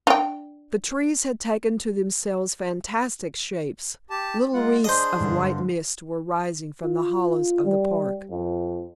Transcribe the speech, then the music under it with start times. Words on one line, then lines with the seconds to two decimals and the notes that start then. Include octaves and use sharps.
The trees had taken to themselves fantastic shapes, little wreaths of white mist were rising from the hollows of the park.
0.07 D4 G5
4.10 G4 A5
4.54 G#3 F4 F#5
4.84 D4 G#4 C5 D#5
5.20 G2 D3
6.83 F4
7.65 G3
8.31 F2